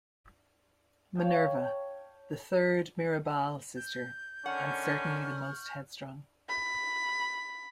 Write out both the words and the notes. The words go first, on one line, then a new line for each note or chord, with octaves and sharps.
Minerva: The third Mirabal sister, and certainly the most headstrong.
C#5 F5 G5 A5
G6
D3 D#3 C#4 F#5 C#6 F6
B5